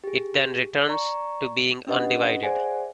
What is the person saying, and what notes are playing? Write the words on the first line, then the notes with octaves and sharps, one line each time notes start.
It then returns to being undivided.
G4 G#4
D5 A#5 C#6
C#4 D4 G4 B4 D#5 F#5
G#4 C5 D5 E5 F#5 G#5